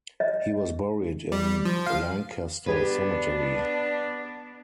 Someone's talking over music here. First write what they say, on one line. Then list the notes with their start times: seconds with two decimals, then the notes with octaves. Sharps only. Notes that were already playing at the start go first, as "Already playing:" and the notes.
He was buried in Lancaster Cemetery.
0.20 D#5
1.32 G3
1.65 F3
1.86 F5
2.66 B3 D4 G4 G#4 B4